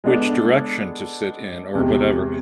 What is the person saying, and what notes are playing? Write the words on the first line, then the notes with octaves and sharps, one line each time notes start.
which direction to sit in or whatever,
G#3 B3 D4 A4
E2 C3 G#3